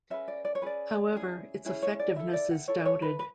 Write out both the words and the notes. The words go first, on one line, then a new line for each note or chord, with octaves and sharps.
However, its effectiveness is doubted.
C#4 G#4 B4 E5
D5
D5
C#5
C#4 G#4 B4 D5
C#4 E4 G#4
C#4 E4 G#4
C#5
D5
E4 A4 E5
D5
F#5
E4 A4 C#5
D5
C#5
B4
B4